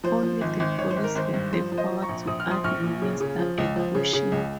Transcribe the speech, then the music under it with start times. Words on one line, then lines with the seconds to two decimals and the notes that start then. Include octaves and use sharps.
Only the police have the power to administer a caution.
0.04 F3 C5
0.23 F3
0.41 G#1
0.60 G#1
0.78 G#1 C#5
0.91 C5
0.97 G#1
1.04 A#4
1.15 G#1 C5
1.34 G2
1.53 F3 C5
1.72 F3
1.78 C5 D#5
1.91 F3
2.02 A#5 C#6
2.09 A#1
2.27 A#1 D#6
2.40 F6
2.46 F3 C6 D#6
2.64 A#1 C#6 F6
2.84 A#2
3.02 C#3
3.20 C#3
3.39 F3
3.58 C#2
3.76 F3
3.95 C#3
4.13 C#3
4.32 C#2